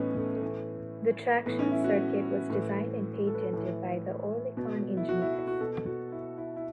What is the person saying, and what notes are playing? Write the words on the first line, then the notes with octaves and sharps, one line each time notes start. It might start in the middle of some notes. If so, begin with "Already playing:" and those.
The traction circuit was designed and patented by the Oerlikon engineers.
Already playing: A2 E3 B3 C#4 D#4
A3
A3
A2 E3
A2 E3 B3
C#4
E4
F#4
A2 E3
A4
B4
A4
A2 E3 A4
B2
E4
F#4
E4
E4
F#4
B2 A4
F#4
E4
E4
E4